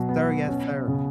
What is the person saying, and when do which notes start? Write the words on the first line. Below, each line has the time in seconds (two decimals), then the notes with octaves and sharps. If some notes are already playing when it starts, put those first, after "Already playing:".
"Sir, yes, sir.
Already playing: B2 F#3
0.09 B3
0.48 C#4
0.88 C#3